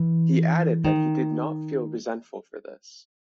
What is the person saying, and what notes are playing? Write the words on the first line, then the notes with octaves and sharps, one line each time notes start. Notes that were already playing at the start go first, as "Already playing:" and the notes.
He added that he did not feel resentful for this.
Already playing: E3
D#3